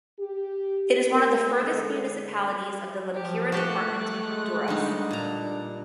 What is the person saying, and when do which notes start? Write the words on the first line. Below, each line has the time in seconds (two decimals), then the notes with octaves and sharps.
It is one of the furthest municipalities of the Lempira department in Honduras.
0.19 G4
1.08 A#4
1.61 D3 G#3 A4
3.15 F3 G4
3.52 A3 F#4 G4 F#6
4.17 G#3
4.68 D3 G3 D#4
5.11 A#2 D4 A#5